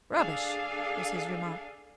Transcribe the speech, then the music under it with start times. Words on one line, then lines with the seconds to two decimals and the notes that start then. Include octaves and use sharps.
"Rubbish," was his remark.
0.15 D4 G#4 A4 F5